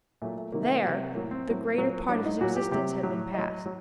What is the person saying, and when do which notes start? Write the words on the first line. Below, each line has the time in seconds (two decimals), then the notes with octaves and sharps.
There, the greater part of his existence had been passed.
0.22 A#2 F#3 A3
0.37 A3
0.52 C3 D#3 F#3 A#3
0.63 A3
0.73 A#3
0.84 C3 F#3
1.15 A2 F#3 A#3
1.31 C4
1.47 A2 F#3
1.78 A#2 F#3
2.09 A2 F#3 D4
2.25 D#4
2.41 A#2 F#3 F#4
2.56 G4
2.71 C3 F#3 G4
3.03 A2 F#3
3.34 A2 F#3 D#5
3.66 F#3